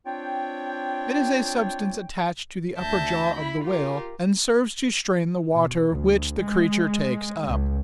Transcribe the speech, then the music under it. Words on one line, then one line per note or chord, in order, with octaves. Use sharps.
It is a substance attached to the upper jaw of the whale, and serves to strain the water which the creature takes up.
C4 D4 F4 C#5 G5
D2 E5 A5 G6 A#6
E4 B5
F4 G4 A#4
B2
D2
G#3
C#2